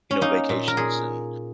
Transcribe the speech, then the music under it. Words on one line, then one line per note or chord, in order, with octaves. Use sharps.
you know, vacations, and
C#4
A#3 D#4
A#2
A#4
A#2 G#4